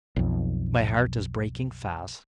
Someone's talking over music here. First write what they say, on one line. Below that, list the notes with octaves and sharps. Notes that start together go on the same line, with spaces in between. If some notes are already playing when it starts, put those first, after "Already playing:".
My heart is breaking fast.'
B1 F2